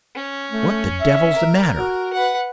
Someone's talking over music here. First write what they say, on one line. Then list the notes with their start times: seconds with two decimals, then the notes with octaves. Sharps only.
What the devil's the matter?
0.15 C#4
0.51 A3
1.02 E5
1.36 A#4
1.78 F#4
2.13 B4 F#5